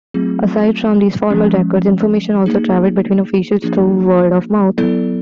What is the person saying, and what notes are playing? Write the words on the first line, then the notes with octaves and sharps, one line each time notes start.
Aside from these formal records, information also travelled between officials through word of mouth.
F#3 A3 C4 F4 G#4
F3 G#3 C#4
A#3 D#4 G#4
F3 A#3 D4 F4 G#4
F#3 B3 E4 A4 D5